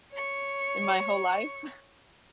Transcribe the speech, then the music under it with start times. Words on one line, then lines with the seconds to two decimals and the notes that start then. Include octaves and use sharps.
in my whole life. S
0.12 C#5 C#6